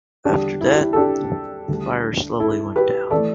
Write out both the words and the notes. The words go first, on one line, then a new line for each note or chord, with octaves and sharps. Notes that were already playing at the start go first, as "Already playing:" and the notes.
After that the fire slowly went down.
E2 D3 G3 D4 G4
E4
G4
E4
A4
D4 G4
D2 D3 G3
E4 A4
G4 B4
E3 A3 A4 D5